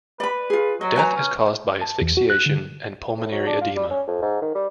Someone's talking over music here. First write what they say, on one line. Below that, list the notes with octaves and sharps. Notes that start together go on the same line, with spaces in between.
Death is caused by asphyxiation and pulmonary edema.
B4 D5 B5
F4 G#4
F#3 D#5
B4 G#5 A#5
C#4
A5
E2
F#4
F#6
D3
A2
F#3
D4
F4
G3
C#4
F2
G#2
D#3
G3